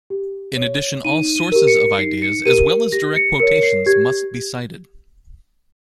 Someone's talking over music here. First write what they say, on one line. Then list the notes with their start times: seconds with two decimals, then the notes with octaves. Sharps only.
In addition, all sources of ideas as well as direct quotations must be cited.
0.10 G4
0.57 C#5
1.04 D#4 D#7
1.36 D#7
1.52 G4 A#4
1.67 C#7
1.98 D#4 C7
2.22 C#7
2.45 G4 A#4 D#7
2.92 G4 A#6
3.16 C#7
3.40 A#4 C#5 C#7
3.63 C7
3.86 G4 G#6